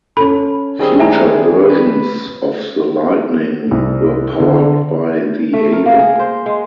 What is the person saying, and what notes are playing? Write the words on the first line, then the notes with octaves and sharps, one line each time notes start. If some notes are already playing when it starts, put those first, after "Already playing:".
Future versions of the Lightning were powered by the Avon.
C#4 A4 B5
D#3 G3 C4 G#4
E5 G#5 A#5
B4
C2
D3
A3
A#4
A#3
G#4
C5
G#3